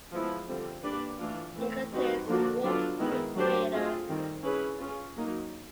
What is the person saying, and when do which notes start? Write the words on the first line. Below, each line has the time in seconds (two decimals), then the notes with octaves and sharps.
It contains Wolfe Creek crater.
0.12 F3 G#3 B3 E4
0.47 D3 G3 C4 F4
0.83 A#3 D4 G4 B4 D5
1.19 E3 A3 D4 F4
1.56 E3 A3 C4
1.91 G3 C4 D#4 F#4 B4
2.27 D3 F3 A#3 D4 F#4
2.63 F#3 B3 D4 F4 A4
3.00 D#3 G#3 B3 E4
3.35 F#3 A3 D4 G4 C5
3.71 A3 C4 F4 G#4
4.07 D#3 G3 C4
4.43 C#4 E4 G#4 B4
4.80 C#4 F4 G#4
5.15 F#3 A#3 D#4